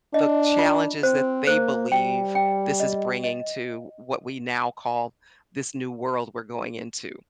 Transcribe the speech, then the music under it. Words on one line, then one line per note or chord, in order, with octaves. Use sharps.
the challenges that they believe this is bringing to what we now call this new world we're going into.
D4 D#5
F4
C4 C5
A#3 C5
G3 G5
G5
D#5
D#5